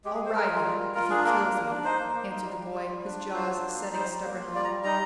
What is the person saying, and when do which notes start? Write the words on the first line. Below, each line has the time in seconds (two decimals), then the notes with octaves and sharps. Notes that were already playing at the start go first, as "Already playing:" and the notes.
"I'll ride him--if he kills me!" answered the boy, his jaws setting stubbornly.
0.05 G#3 G4
0.14 G#4
0.20 G#3
0.25 C5
0.34 G#3 A#4
0.50 F4
0.64 G3
0.80 F4
0.95 F4 A#4
1.10 D4 G#4
1.24 A#3 A#4
1.40 D4
1.55 A#3
1.70 D4
1.84 D#4 C5
1.99 A#3
2.15 A#3
2.30 D#4
2.44 G3
2.60 G3
2.74 F4
2.90 G3
3.05 D4
3.19 F4
3.34 F4 C5
3.50 D4
3.64 A#3
3.79 D#4
3.94 G3 C5
4.09 G3
4.23 A#3
4.38 F4
4.53 G3 D5
4.64 A#5
4.69 G3
4.84 D#4 A#5